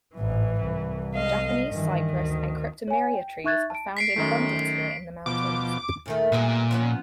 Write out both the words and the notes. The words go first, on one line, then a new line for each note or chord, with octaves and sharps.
Japanese cypress and cryptomeria trees are found in abundance here in the mountains.
A1 G#2 E3
C2
G#3 D#5 F5
G2 D#3 E3
D2
C#5 G#5
G5
D#4 E5 C#6 F#6 G#6 A6
A5 D7
B6 C7 D7
F#2 D#3 A3
B2 F3 D6
A#2 D#3 A3
A#2 G3 B3 G#4
F3 B3 C#4